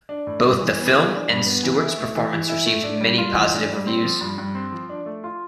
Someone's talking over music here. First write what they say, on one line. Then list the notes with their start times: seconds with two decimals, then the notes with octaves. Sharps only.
Both the film and Stewart's performance received many positive reviews.
0.09 D4
0.27 A2
0.44 G3
0.60 E3
0.78 B3
0.95 E3
1.12 D4
1.30 G2
1.46 B3
1.63 E3
1.80 E4
1.98 A3
2.15 E3
2.33 E3
2.49 E4
2.66 A3
2.84 D4
3.01 G3
3.18 F4
3.35 E3
3.52 D4
3.69 G3
3.87 C4
4.04 F3
4.21 G2
4.38 G2
4.55 C4
4.72 F3
4.90 D4
5.06 A3
5.24 F4